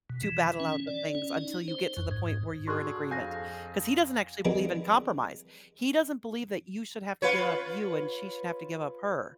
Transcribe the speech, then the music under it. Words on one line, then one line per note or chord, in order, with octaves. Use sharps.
to battle out the things until you get to the point where you're in agreement." 'Cause he doesn't actually believe in compromise. He doesn't believe that you should have to give up you and she should have to give up her.
B2
E3
C#4
D5
C#4
D#4
C5
F#2
G#2
D4 F#4 G#4 A4 C6 C#6 F#6
F2 F5 G#5 G6 A#6
D#3 F3 G3 G#3 B3 C4
F4 B4 C#5